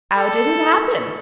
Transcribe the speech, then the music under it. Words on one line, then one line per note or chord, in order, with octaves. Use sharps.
"How did it happen?"
A4